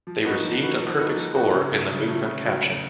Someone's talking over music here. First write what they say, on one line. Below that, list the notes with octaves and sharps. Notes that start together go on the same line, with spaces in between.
They received a Perfect Score in the Movement Caption.
F3
A#3 D#4 F#4 B4
F3
A#3 D#4 F#4 B4
F3
A#3 D#4 F#4 B4
F3
A#3 D#4 F#4 B4
C#3
F#3 A3
C#3
F#3 A3
C#3
F#3 A3
C#3